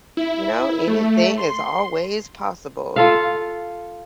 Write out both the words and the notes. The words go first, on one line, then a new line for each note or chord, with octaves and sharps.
you know, anything is always possible.
E4
A3
C6
F4 A4 F5